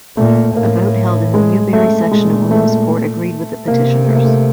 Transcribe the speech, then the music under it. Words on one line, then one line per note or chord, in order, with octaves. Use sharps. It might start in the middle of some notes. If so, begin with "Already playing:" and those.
A vote held in the Newberry section of Williamsport agreed with the petitioners.
A#2 A3
A2 A#3
G#3
A3
A#2 G#3
A3
C3 A#3
A3
A#3
A3